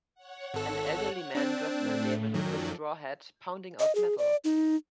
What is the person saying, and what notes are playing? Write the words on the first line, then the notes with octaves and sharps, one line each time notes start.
An elderly man dressed in denim with a straw hat, pounding out metal.
C#5 F#5
G#1 A4
C4 D4
A2 A3
F#2 D#3 F3 F#3 A4 D5
D#5
G#4
D5
D#4